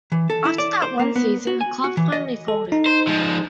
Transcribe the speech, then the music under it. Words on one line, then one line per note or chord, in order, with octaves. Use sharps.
After that one season, the club finally folded.
E3
A4
E4
D5
C5
A#3
B3
F#4
G#5
F#4
E3
D#5
A4
D#4
C5
F3 G#3